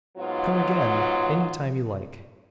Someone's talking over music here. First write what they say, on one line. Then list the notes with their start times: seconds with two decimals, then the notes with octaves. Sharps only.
"Come again any time you like."
0.18 G#2 F#3 B3 F4